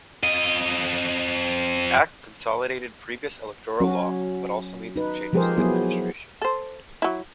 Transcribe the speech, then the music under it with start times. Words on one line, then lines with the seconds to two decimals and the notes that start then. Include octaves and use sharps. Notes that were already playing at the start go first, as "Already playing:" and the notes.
The Act consolidated previous electoral law, but also made some changes to administration.
0.23 F2 D#5
3.80 F#3 C#4 F#4
4.96 D#4 B4
5.33 F3 G#3 G4 G#4 A#4 C5
5.57 F#3 B3 E4 G#4
6.42 A4 C5
7.02 F#3 E4